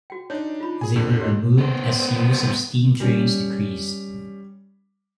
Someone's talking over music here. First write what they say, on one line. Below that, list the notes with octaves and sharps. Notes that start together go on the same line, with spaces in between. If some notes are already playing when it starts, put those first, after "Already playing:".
They were removed as use of steam trains decreased.
F#4 G5
D4 D#4 C#5
F4 B5
G#4 G#5
F2 D3 C#6
G4 C#5 D#5
B3 C5
G3 C#4